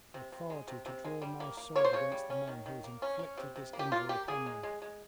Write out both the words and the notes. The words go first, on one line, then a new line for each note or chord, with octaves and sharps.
"Authority to draw my sword against the man who has inflicted this injury upon me."
C3
C3
G#3
C3
C3
G#3
G3
A#3
A#3
A#3 C#5
C5
C#3 C#5
G3
C#4
D#3
D#3
A#3
C#4
C#4
C3
C3
A#3
G4
A#3 F4
A#3 G4
A#3 G#4
G#3
G#3
G#3